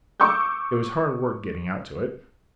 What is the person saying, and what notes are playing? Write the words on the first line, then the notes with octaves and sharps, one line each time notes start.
It was hard work getting out to it!
C#6 D6 E6 G6